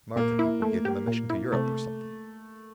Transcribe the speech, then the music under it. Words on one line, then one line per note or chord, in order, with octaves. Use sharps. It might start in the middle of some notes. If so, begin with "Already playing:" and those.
Marta people give him a mission to Europe, or something?
A#2 A#3
E4
A3
G4
A#2
E4
C3 A3